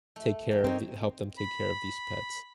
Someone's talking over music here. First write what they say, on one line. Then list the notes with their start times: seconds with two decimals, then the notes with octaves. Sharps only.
take care of the help them take care of these pets.
0.16 A3
0.51 E2 A#4 G5
0.64 C4 D#4 C#5 D#5
1.38 B5